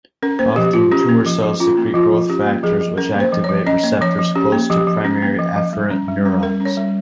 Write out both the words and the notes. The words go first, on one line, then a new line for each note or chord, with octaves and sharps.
Often tumor cells secrete growth factors which activate receptors close to primary afferent neurons.
C#4 A#4
A#3 C5
F3 G4
F3 F4
C#4 G4
A#3
F3
F3
C#4 F4
A#3
F3 F4
F3
C#4 G4
A#3
F3 G#4
F3
C#4 A#4
A#3 C5
F3
C#5
F3
C#4 D#5
A#3
F3 C#5
F3
C#4 G4
A#3
F3 G4
F3
C#4
A#3
F3
F3
G3
C#4
G3
C#4
G3 A#4
C#4
C#5
G3